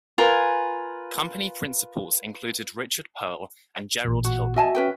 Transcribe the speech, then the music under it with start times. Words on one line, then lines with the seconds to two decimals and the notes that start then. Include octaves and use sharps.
Company principals included Richard Perle and Gerald Hillman.
0.18 F4 A#4 B4 G#5
4.05 A1 A#2
4.24 F#4
4.56 F#4 D#5 E5 G#5 A5
4.75 C#4 B4 G5